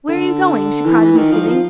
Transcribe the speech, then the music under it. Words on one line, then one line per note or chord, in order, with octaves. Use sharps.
"Where are you going?" she cried with misgiving.
D3
E3
E3
D#3
F3
F3